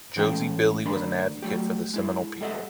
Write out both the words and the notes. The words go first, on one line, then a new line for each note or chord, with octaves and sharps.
Josie Billie was an advocate for the Seminole people.
A2 E3 G#3 C#4 A4 G5
D2 D4 A#4 B5 C6
F#3 A3 G4
G#3 E4
G3 A4 D#5 E5 F#5